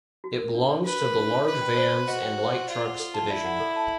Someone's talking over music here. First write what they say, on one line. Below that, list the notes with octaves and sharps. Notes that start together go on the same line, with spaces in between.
It belongs to the large vans and light trucks division.
F#4
A#4
D4
D4
F#4 B4
A#4
D4
D4
B4 D#5
G5
C5
C6
F#4 D#5
G5
C5
C6
F4 D5
F#5
A4
A5
E4 D5
F#5
A4
A5